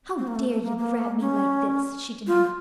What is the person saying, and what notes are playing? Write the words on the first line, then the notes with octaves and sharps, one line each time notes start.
"How dare you grab me like this?" she demanded.
C4
A#3
A3
A3
A#3
A#3
C#4
F4